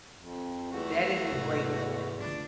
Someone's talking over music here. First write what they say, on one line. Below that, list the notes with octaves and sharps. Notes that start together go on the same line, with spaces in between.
That is a great point.
F2
E2 A3 F#4
G#2 C3
D2 D4 F4